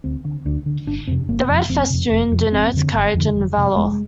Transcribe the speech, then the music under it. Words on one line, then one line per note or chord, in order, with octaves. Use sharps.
The red festoon denotes courage and valor.
D2 C4
D3
D2 D4
D3
G1 D4
F2 C3 C4
G1 A#3
F2 C3
F1 C4
F2 C3
F1
F2 C3
G1 C4
F2 D3
G1
F2 D3
F1
F2 C3
F1 G#3